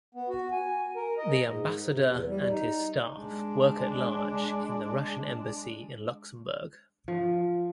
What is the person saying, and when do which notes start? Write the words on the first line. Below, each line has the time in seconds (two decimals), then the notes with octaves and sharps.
The ambassador and his staff work at large in the Russian embassy in Luxembourg.
0.15 B3
0.29 F#4
0.52 G#5
0.96 A#4
1.18 D#5
1.45 G#2
1.90 C3
2.10 E2
2.28 G3
2.50 D#4
3.16 G#3 D4
7.08 F3